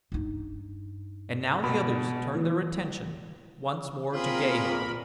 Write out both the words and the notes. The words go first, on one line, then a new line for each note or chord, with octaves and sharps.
And now the others turned their attention once more to Gahan.
G2 D#4
B2 B5
E3
A#2 C4 F4 G#4 A#4 B5